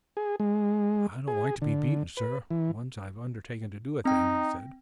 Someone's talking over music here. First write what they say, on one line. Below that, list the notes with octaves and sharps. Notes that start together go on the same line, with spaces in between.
"I don't like to be beaten, sir, once I've undertaken to do a thing," he said.
G#4
G#3
G#4
D3
B4
E3
C4 D#4 G5